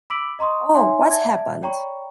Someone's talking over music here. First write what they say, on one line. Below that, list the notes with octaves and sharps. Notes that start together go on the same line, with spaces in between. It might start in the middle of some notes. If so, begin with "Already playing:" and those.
Oh, what's happened?
B5 D6 E6 B6 D7 F#7
D#5 A#5 C6 C#6 D#6
D#4 C#5 E5 F#5 G#5 C6
D5 E5 A5 G#6
C#5 D5 G5 A#5 B5 C#6